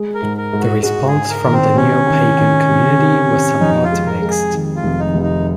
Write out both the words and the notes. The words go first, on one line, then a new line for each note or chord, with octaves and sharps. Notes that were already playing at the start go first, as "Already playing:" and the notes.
The response from the Neopagan community was somewhat mixed.
Already playing: G#3
A#4
G#2
A#4
G#2
F#4
G#3 F#4
G#4
G#2
A#4
D#3
C4
C3 C#4
D#3
D#3
C3
C3
C3
F2 D#4
F4
G#3
A#4
G#3
G#4
D#3
F4
F1
D#4
F1
D#4